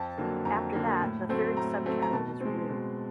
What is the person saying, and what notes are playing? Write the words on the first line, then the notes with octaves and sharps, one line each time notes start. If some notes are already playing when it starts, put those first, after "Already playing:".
After that, the third subchannel was removed.
Already playing: F2 A5
D3 F#3 A#3
F2 A#5
D3 F#3 A#3
A2
F#3 A3 C4
A2 A#5
F#3 A3 C4
A#5
B2 A5
G#3 C4
B2